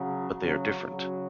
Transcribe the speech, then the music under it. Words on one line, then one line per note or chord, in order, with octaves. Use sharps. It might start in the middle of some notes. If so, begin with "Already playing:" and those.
But they are different.
Already playing: C#3 F#3
C#3 F#3
C#3 F#3